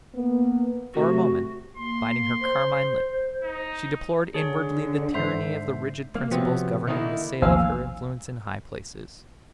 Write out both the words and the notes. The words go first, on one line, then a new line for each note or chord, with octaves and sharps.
For a moment, biting her carmine lip, she deplored inwardly the tyranny of the rigid principles governing the sale of her influence in high places.
A#3 B3
C3 A3 F#4
A#3 C6
C5
D#4
D3 G#4 C#5 A5
G#2 C5 E5 C6 G6 C7
A#3
C3 F3 F#3 B3
D3 D#3 A#3 D#4 E4
A1 D#2 F3 F5 G#5 E6